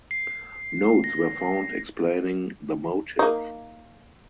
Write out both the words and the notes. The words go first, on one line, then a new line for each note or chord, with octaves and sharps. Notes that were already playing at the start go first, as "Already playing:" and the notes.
Notes were found explaining the motive.
C7
A#6
A#3 D#4